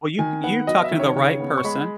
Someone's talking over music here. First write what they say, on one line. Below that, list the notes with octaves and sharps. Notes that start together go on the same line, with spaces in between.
Well you you're talking to the right person,
D#3 G#5
B3 F#5
F#3 D#5
E5
D#3
C#5
C#3 C#5
B3
C#6
G#3 B5